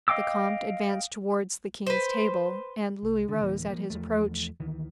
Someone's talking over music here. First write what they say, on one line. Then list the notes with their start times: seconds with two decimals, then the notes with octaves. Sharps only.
The comte advanced towards the king's table, and Louis rose at his approach.
0.08 D#5 F5 G5 D6 E6
1.87 B4 C5
3.03 C2
3.29 D3 D#3
3.41 D1 E3 A#3
3.70 F3 A#3
3.90 E2 F3 A3
4.60 D2 D#3 E3